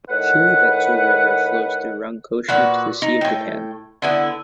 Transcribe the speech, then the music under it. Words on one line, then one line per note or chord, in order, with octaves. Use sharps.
Shiribetsu River flows through Rankoshi to the Sea of Japan.
A2 D#3 B4 F#5
A#2 F#4 B4
D#4
A2 G5
D3 B3 E4